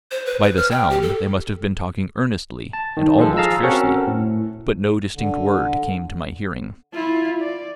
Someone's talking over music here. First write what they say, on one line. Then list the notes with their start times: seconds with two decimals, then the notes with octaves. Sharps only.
By the sound they must have been talking earnestly, and almost fiercely; but no distinct word came to my hearing.
0.11 C5
0.26 B4
0.42 B4
0.57 F6
0.71 G5
0.90 G4
1.02 A4
2.73 A5
2.97 D#3
3.18 F3 G#3 A4
3.37 G#4 F5 A5 A#5 E6
3.63 C4 C#4 F#4 A4 A#4 F#5
4.07 A2
5.15 D3
6.94 E4 F4
7.40 D5